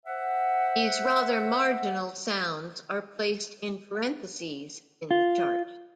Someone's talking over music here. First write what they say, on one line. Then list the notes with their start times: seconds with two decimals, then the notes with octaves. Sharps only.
These rather marginal sounds are placed in parentheses in the chart.
0.05 C5 E5 F#5
5.11 F4